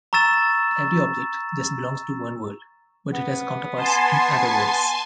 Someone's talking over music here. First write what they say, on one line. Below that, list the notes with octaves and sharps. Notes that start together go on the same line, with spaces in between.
Every object just belongs to one world but it has counterparts in other worlds.
A#5 C#6 E6 A6 E7
B3
G#5 A5 C6